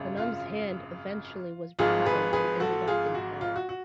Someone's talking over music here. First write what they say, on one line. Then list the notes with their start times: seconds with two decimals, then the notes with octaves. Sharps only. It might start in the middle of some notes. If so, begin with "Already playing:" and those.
Anum's hand eventually was recovered and ended up in Hell.
Already playing: G#1 F#2 C#3
0.17 F4
1.79 G#1 G#2 F3 G#3 F4 G#4
2.06 G#4 B4
2.33 G#4 B4
2.60 F#4 A4
2.88 F4 G#4
3.15 F#4
3.41 F4
3.56 F#4
3.69 F#4